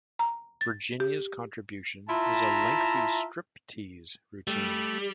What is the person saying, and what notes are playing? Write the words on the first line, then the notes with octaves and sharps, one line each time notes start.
Virginia's contribution is a lengthy striptease routine.
A#5
A6
G4
E4 F4 E5 A5 A#5
G3 A3